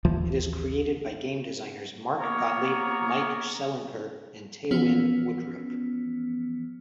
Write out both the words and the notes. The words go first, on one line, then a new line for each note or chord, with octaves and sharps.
It is created by game designers Mark Gottlieb, Mike Selinker, and Teeuwynn Woodruff.
A1 D#2 E3 F3
F3 A#3 B3 A#4 C#5 A#5
E3 F3 B3 C#4